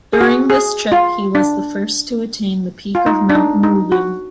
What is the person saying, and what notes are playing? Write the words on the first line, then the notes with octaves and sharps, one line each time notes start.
During this trip he was the first to attain the peak of Mount Mulu.
G#4
F#4
G#4
F4
D4
F4
D#4
D4
D#4
D#4
F#4